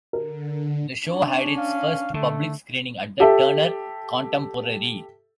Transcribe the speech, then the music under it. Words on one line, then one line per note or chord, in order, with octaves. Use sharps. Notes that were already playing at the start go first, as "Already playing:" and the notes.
The show had its first public screening at the Turner Contemporary.
D3 A#4
C#4 D4
F5
D3 A3
G4 A4 E5